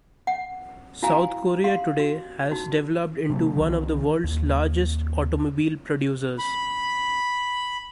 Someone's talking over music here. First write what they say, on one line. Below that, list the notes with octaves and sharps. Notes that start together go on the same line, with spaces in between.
South Korea today has developed into one of the world's largest automobile producers.
F#5
E4 F#4 F5 G#5 A#5
G4 F5 C6
F#4
D#4 F#4
C3 F#3 A#3
C2 D#3
D#2
B5